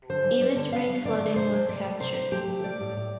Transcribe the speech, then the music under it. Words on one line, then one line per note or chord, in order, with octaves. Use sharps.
Even spring flooding was captured.
D3 C5
G3
G3 D5
D3
D3 F5
G3
D3 D5
D3
C3 C5
A3
C3 D5
A3
C3 C5
C3
A3 G4
A3
G3 D5
A2
A2